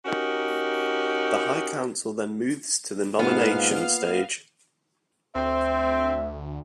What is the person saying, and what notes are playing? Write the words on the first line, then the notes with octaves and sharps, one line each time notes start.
The High Council then moves to the nomination stage.
C#4 D#4 F#4 G4 A#4
G#2 A#3 B3 F4 F5 F6
D2 C4 E5